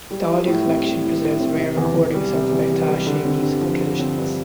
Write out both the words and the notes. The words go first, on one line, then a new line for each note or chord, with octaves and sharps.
The audio collection preserves rare recordings of Bektashi musical traditions.
G3
E4
A2
C4
G3
E4
A2
C4
C3
E2
E2
G3
C3
E2
E2
G3
D3
C4
G2
F3
D3
C4
G2